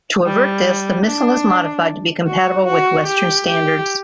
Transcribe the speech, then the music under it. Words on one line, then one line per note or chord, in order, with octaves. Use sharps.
To avert this, the missile is modified to be compatible with western standards.
G3
D4
F#4
F#4
G4
G4